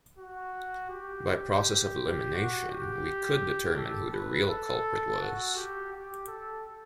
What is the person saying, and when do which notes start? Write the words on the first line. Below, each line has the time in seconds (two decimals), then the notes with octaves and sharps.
By process of elimination we could determine who the real culprit was.
0.18 F#4
0.89 G4
2.34 F#4
2.70 G4
3.77 A4
4.13 B4
4.49 A4
5.21 F#4
5.56 G4
5.92 G4
6.28 A4